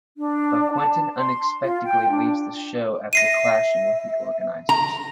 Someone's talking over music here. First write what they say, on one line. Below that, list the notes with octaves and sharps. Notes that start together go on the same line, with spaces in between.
But Quentin unexpectedly leaves the show after clashing with the organizers.
D4
A5
C6
F4
G5
D4
E5 A#6 C7 D#7
A#5